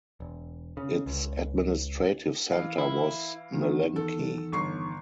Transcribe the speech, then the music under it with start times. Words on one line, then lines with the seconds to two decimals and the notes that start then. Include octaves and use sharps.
Its administrative centre was Melenki.
0.20 E1
0.77 C#3
1.06 C#2
2.51 E3 F5
2.78 E4
3.52 E2 D#3
3.96 A4
4.52 G1 C#6 C7